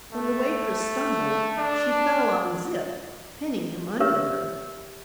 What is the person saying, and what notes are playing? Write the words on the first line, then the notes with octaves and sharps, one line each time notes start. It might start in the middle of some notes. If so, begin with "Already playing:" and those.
When the waitress stumbled, she fell on Zip, pinning him under her.
A3
D4
G4 A#4 B4 C#5 E5